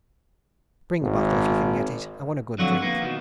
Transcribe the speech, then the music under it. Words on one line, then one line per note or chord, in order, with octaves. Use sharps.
"Bring a bottle if you can get it--I want a good drink."
G#1
F2 D3 F#3 F4 F#4
A#3 B3
B2 D#3